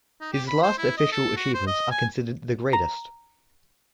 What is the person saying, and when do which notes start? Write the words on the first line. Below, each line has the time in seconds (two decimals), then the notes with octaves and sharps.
His last official achievements are considered the greatest.
0.21 D#4
0.33 G4
0.47 B5
0.63 C5
0.78 E4
0.98 D#5
1.12 A4
1.37 F#4
1.54 C5
1.67 D#5
1.91 G#5
2.73 A#5